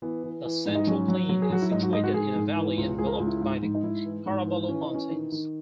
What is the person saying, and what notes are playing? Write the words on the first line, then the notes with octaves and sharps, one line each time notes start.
The central plain is situated in a valley enveloped by the Caraballo Mountains.
E3 B3
E3
E3
G#2
D#4
F#3 C#4
F#3
F#3
G#4
F#3 F#4
E4
G#2 D#4
F#4
G#2 D#5
F#4
G#2 G#4
G#2
E3
C#2
C#2 G#4
A#4
G#4
C#2
E4
G#2
G#2
D#4
G#2 E4
E3
G#2
E3
E3 C#4
D#4
E3
C#4
D#3
D#3